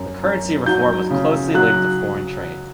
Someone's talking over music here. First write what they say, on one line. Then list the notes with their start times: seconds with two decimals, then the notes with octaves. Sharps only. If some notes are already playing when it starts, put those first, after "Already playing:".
The currency reform was closely linked to foreign trade.
Already playing: F#2
0.23 F#2
0.66 F#3 G6
1.11 C#3
1.54 F#3 F#6